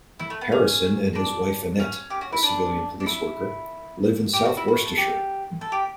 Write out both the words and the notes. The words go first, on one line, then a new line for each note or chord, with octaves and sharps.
Harrison and his wife Annette, a civilian police worker, live in south Worcestershire.
E4
A3
B3
C#4
D4
C#4
G4
F#4
E4
D4
D4
E4
G4
F#4
E4
F#4
A4
G4
A4
G4